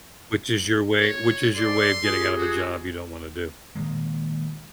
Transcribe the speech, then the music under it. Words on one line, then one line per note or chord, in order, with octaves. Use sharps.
Which is your way which is your way of getting out of a job you don't wanna do.
C#5
A4 D5 C6
F4 G4 G#4
F#4
A#2 D#3 G#3